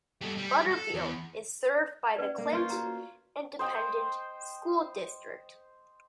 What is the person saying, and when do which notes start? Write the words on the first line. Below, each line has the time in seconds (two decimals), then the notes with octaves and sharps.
Butterfield is served by the Clint Independent School District.
0.21 G3 A4
0.37 G3
0.71 A4
0.94 E2
2.16 C#4 B4 D5
2.38 A#3
2.53 F4 C5 C#5
2.70 F#4 A#5
3.59 C5 D#5 G5